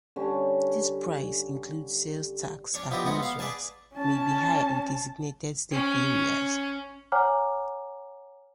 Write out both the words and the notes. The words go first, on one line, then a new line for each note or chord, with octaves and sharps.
This price includes sales tax at newsracks; may be higher in designated state areas.
D3 G3 C#4
C#4 D4 C#5
F3 B3 D4 E4 G4 D#5
G#3 A3 B3 C#4 F#4
B3 F5
G#4 B4 D5 G#5 A5
C#4 A5
C#4
C#5 F#5 G#5 A#5 D6 F6